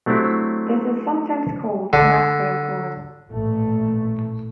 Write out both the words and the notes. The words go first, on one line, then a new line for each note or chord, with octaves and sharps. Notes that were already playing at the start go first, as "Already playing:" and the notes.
This is sometimes called a Maxwell coil.
F#3 A3 C4 D4 E4 G4
D3
A1 A#2 A3